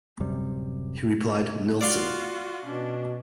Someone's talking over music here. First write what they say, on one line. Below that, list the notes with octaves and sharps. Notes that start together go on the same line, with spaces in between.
He replied, "Nilsson".
D1 F#2 C3 G3
F4 F#4 D5 F5 C6
B2 C#4 D4